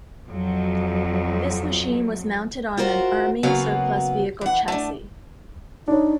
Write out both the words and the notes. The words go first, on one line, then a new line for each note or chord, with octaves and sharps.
This machine was mounted on an army surplus vehicle chassis.
F2 F#3
F4 F#4 A#4 C5
C#3 F#3 A#3 B3 F#4 F5
E3 F#5
A3 D4
D4 D#4 C#5